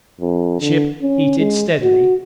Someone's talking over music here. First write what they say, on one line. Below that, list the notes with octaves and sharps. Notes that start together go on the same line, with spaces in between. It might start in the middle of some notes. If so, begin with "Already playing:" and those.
The ship heated steadily.
F2
D3
C#4
G#3
F#4